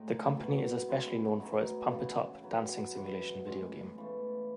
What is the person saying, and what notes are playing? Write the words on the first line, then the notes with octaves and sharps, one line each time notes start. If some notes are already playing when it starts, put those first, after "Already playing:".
The company is especially known for its "Pump It Up" dancing simulation video game.
Already playing: A2 G#3 D#4
F#3 B3 E4
C#3 G#3 C#4 E4
B2 A3 D#4 G#4
C#3 E3 B3
F#3 B3 E4 G#4
F#2 E3 G#3
A2 G#3 C#4
C#3 E3 A3